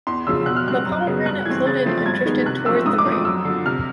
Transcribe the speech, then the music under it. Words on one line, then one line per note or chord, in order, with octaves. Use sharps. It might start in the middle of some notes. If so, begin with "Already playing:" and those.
The pomegranate floated and drifted towards the right.
E2 C6
C#3 F3 E6
B2 F#6
F6
G3 C4 F#6
F#2
C#3 F#3 B3
G2 F#6
E3 A3 C4 G#6
C#3 A6
F3 A3 C4
A6
G2 G#6
D#3 G#3 B3
C3 F#6
F3 A3 C4 E6
G#2 D#6
D6
F3 A3 C4
D#6
F#2 E6
D3
F3
C3 F6